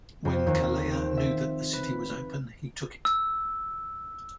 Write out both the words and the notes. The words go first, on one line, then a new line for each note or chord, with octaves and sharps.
When Calleja knew that the city was open he took it.
F2
D#2
C4
E5
B4
E6